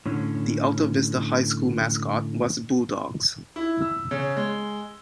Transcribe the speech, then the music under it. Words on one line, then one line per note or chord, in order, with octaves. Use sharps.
The Alta Vista High School mascot was Bulldogs.
A2 D3 C#4
E4
E6
C#3
G#3